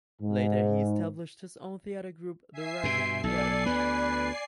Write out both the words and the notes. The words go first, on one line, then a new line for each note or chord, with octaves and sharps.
Later he established his own theatre group "The Rising Theatre Group".
G#2
E5 G#5 C7
G2 B2 C6
B1 A4 D5 G#5 C7
D2 B3 B4